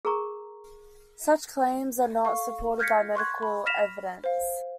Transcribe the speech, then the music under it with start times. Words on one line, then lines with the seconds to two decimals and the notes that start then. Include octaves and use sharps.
Such claims are not supported by medical evidence.
0.05 G#4 A#4 A#5 C#6
2.25 A4 F5 C#6
2.79 F6 G6 G#6 A#6 B6 C#7
3.15 C6 C#6 F#6 G#6
3.43 B5
3.66 F6 A#6 B6 E7 F7
4.24 C5 F5